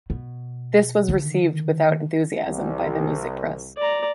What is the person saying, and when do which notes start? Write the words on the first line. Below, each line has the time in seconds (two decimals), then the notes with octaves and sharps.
This was received without enthusiasm by the music press.
0.10 B2
1.08 D3 D#3
2.46 C2
3.77 D5 A#5